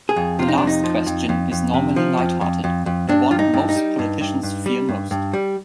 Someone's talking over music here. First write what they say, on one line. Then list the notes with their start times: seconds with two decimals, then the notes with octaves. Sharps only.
The last question is normally light hearted - the one most politicians fear most.
0.09 G#4
0.16 F2
0.39 C3 F4
0.48 D#4
0.58 F2 D4
0.67 D#4
0.84 F3
1.06 F2
1.29 F2
1.52 F2
1.74 C3
1.96 F3
2.19 F2
2.41 F2
2.64 F2
2.86 F2
3.09 G2 D4
3.31 G2 F4
3.39 D#4
3.54 G2
3.69 D#4
3.76 G3
3.99 G2
4.21 G2
4.43 G2
4.66 G3
4.89 G2
5.11 G2
5.33 G3